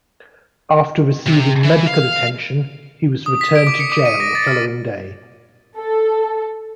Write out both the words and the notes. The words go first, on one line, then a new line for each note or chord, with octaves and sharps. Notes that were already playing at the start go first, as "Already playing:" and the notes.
After receiving medical attention, he was returned to jail the following day.
C3
E3
F5
D#6
B6
D7
D6
C#7
D6
D#7
A#6
A6
F6
A4